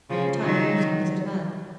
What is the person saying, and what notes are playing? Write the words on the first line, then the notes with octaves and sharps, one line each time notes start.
The time of meeting is at hand.
C#3 F3
D#3 F#3